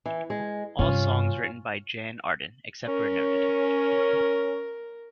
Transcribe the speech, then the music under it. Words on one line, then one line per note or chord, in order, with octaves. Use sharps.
All songs written by Jann Arden, except where noted.
E3
G#3
G2 C3 C#4 F4
C#4 A#4